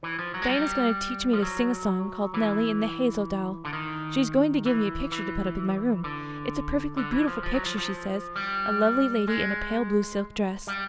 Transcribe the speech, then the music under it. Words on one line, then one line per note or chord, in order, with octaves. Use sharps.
Diana is going to teach me to sing a song called 'Nelly in the Hazel Dell.' She's going to give me a picture to put up in my room; it's a perfectly beautiful picture, she says--a lovely lady in a pale blue silk dress.
E3
F3
F#3
G#3
G3
F3
F#3
E3
D3
D#3
E3
E3
D3
D3
E3
F3
F3
F#3
F3
F3
G3
G#3
G3